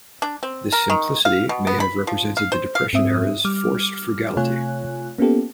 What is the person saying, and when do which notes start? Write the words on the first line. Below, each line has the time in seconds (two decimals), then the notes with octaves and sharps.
This simplicity may have represented the depression era's forced frugality.
0.22 D4
0.43 C4
0.72 A#4
0.90 D#3
1.25 F5
1.49 B2
1.67 B3
1.80 B5
2.07 F3
2.37 F5
2.52 C5
2.75 F5
2.93 G#2 C4 E5 D#6
3.45 G3 D6 F6
4.37 C3 A3 F4 C#5 G#5 F#6
5.18 A#3 B3 C#4 F4 G4 A4